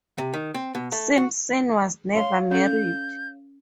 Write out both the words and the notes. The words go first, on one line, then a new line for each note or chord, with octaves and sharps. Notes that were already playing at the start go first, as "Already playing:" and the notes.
Simpson was never married.
C3
D#3
C4
B2
A3
F#4
C#5 F5 C6
C#4 A4 G6